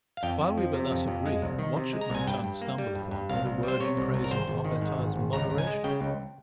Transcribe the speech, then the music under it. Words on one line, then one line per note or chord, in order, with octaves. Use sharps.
While we were thus agreeing, what should my tongue stumble upon but a word in praise of Gambetta's moderation?
F5
F2 G5
F2
F3
C3
F2
F2
G#3
C2
D#3
C3
G#3
A#5
C2 G#5
G2 G5
G2
A#3
G3
G2
G2
C2 F5
C2
G3
C5
C3 C#5
C2
C2
A#4
G#1 C5
G#1
D#3
G#2
G#1
G#1
C#2 A#5
C#2
G#5
G#3
C#3 G5
C#2